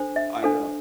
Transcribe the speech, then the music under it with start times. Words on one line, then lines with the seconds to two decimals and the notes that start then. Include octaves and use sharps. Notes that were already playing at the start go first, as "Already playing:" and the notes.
I know.
Already playing: D4 A4 C5
0.16 E5
0.43 D4 A4 C5 F5